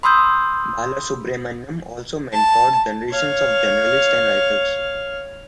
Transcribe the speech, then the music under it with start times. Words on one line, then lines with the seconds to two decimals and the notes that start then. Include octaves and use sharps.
Balasubramanian also mentored generations of journalists and writers.
0.03 B5 C6 D#6 E6 G6
2.33 A5
3.11 C#5 F5